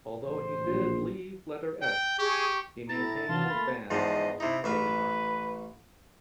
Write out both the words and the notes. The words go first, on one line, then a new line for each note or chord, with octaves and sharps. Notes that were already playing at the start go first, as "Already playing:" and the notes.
Although he did leave Letter X, he maintained his band Jaded Heart.
A1 C5
A#1
G5
G4 G#4 C#6
A2 E4 A#5 A6
C3 E3 F#3 B3 D4 F4 A5
A3 A#3 B5
E2 G#2 F3 D#5
C3 D#4 E4
A1 B4 E5 F5